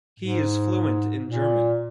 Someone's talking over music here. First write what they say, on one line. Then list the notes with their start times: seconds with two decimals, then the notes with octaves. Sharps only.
He is fluent in German.
0.20 G#2
1.26 A#2